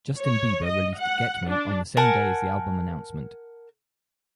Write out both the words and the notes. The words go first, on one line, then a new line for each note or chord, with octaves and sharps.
Justin Bieber released "Get Me" on the same day as the album announcement.
C#5
D#5
F#5
D4
A#4 F#5 G#5 A5